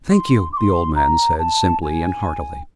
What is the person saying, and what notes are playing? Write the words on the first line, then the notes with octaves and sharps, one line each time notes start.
"Thank you," the old man said, simply and heartily.
C6
D6
C6
A#5
A5
G#5